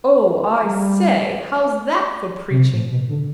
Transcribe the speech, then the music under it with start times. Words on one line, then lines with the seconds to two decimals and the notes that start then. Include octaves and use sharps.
'Oh, I say; how's that for preaching?
0.64 G3
2.50 C3
2.73 A2
2.91 B2
3.09 D3